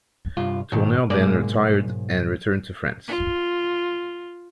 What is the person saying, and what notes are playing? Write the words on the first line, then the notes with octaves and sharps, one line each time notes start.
Tourneur then retired and returned to France.
C2 G2 F4
G#2 B2 D#3
B1 G#2 G#3 A#3 D5
F4